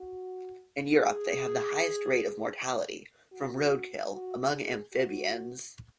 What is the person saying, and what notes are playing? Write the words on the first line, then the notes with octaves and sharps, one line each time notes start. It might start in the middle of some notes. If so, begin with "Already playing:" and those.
In Europe they have the highest rate of mortality from roadkill among amphibians.
Already playing: F#4
G#4
F#4
F#4
G#4
F#4